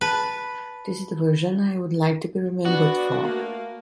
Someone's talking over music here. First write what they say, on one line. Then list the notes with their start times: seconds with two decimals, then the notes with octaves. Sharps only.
This is the version I would like to be remembered for.
0.01 B4 A5
2.65 B3 D4 F#4
3.22 A3 A#3